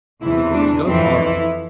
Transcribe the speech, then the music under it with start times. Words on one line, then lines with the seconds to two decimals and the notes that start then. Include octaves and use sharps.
It only does harm.
0.21 E2 C3 E3 E4
0.54 D4
0.86 F2 E3 C4
1.19 E4